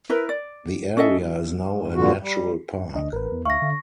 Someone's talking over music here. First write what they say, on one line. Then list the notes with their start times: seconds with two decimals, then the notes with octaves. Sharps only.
The area is now a Natural Park.
0.09 E4 A#4 B4
0.29 D5
0.97 C#4 A4 D#5 E5
1.95 G2 A#2 D3 F#4
2.21 G3
2.95 D2 D4 D#5
3.13 A1 A#4 B4
3.32 E2
3.45 D2 E5 F5 C#6 A#6
3.62 D3